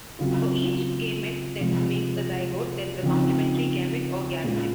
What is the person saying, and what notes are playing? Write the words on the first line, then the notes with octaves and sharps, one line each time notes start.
For each gamete that makes a zygote, there is a complementary gamete, or gametid.
C#3 F#3 C4 F4
C3 F3 G#3
C#3 F3 C4 D#4
A#2 G#3 C#4 F4